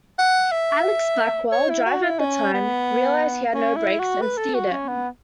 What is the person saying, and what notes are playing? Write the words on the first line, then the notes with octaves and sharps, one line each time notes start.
Alex Blackwell, driver at the time, realized he had no brakes, and steered it.
F#5
E5
C#5
E4
F#4
E4
C#4
B3
C#4
E4
F#4
B4
A4
F#4
C#4
B3